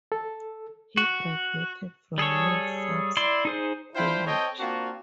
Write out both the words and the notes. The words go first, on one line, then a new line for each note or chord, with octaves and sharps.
He graduated from Millsaps College.
A4
F#4
G3 G#4 A4 C#5
E4 D5 C6
D#4 G#4 C5
D4 E4 F4 C5 G5 B5
C4 A4 C#5 D#5 G5
A#3 C4 D4 F4 F#4